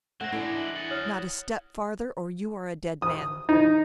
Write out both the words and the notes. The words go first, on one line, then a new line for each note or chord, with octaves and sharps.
"Not a step farther, or you are a dead man!"
A3 C4 F#5 F#6 G#6 A#6
E3 G#3 D4 E4 D5
F#6 F#7
G#4 F#5 A6
C#5 D#6 F6 A6
D#6
D#4